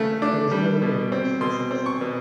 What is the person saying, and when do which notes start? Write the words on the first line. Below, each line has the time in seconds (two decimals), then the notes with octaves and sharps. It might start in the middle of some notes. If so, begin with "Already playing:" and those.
There is no overpass at this exit.
Already playing: C#3 A3
0.22 D4
0.51 G3
0.82 B2
1.12 C4
1.41 B2 C6
1.71 C4
1.86 C#6
2.01 B2